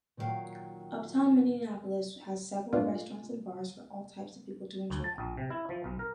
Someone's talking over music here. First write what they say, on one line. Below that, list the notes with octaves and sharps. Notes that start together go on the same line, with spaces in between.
Uptown Minneapolis has several restaurants and bars for all types of people to enjoy.
A#2 D#3 F#3 G4 F5 G5
G2 A#2 A3 D4 F4
D2
A5
A#1
C3
E4
F3
B1
A#4